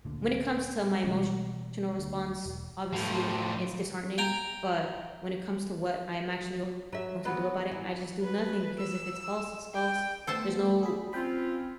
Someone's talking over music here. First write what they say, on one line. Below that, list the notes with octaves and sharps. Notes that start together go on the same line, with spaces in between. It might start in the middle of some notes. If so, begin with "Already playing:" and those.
when it comes to my emotional response, obviously, it's disheartening, but when it comes to what I'm actually going to do about it, I just do nothing, because if it's false, it's false, there's no
D2 A#2 D3
B2 E3 G3 G#3 C#4
D2
E1
A2 F3
G5 G#5 A#5
F#3 E5
F#3 B3
E3
B4
E6
G5
A3 B3 A4 C5 A5
G#4 B5
F3 C4 C#4 F4 G5 B5